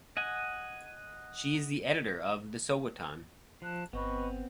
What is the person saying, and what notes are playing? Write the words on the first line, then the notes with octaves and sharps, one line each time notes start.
She is editor of "The Sowetan".
D#5 F#5 G#5
F3 A5 F#6
G1 B3 C4 B4 D#5 C#6